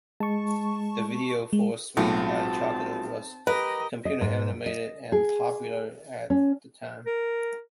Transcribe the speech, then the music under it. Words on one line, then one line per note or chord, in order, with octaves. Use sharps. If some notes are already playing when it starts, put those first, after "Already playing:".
The video for "Sweet Like Chocolate" was computer-animated and popular at the time.
G#3 A5 C#6
G#3
B1 A2 G#3 C4 F4 F#4 A5
G4 A#4 B4 D#5
D#5
G#2
D#5
G#4
C#4
A#4